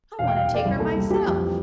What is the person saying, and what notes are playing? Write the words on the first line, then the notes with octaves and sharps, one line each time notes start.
"I want to take her myself."
E1 F5
G5
E1 F5
E1 G5
D5 F5
C2
A#3 A4
G3
A#3 G4
F2
E3